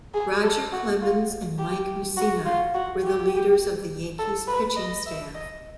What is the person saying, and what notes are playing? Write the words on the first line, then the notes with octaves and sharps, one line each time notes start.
Roger Clemens and Mike Mussina were the leaders of the Yankees' pitching staff.
G#4
A4
F#4
F4
G4
F#4
F4
F#4
G4
A4
B4
D#5
E5
D#5